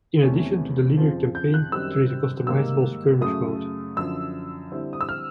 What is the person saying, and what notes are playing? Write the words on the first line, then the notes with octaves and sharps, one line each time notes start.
In addition to the linear campaign, there is a customizable skirmish mode.
E2 C3 E3 A3 C#4
F2 C#3 F3
G6
F#6
F#2 D#3 G3 C4 E6
G#2 D#3 G3 A#3 E6
F#2 C#3 F#3 A3 D#6
F#2 D3 F3 E6
D3 G3 C4 E4
D#6
E6
F6